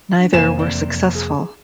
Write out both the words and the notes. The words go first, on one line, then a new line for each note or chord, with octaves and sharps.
Neither were successful.
D4
F2 C3 A#3 C5 C#5 G#5 E7
E2 C4 D5
G#4